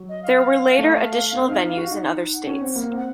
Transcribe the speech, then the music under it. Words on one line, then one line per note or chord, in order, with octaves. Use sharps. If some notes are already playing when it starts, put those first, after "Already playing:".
There were later additional venues in other states.
Already playing: F#3
D#5
F5
A3
C4
D#4
F#4
D#4 F#5
C#4
C4
A#3
C4
F#5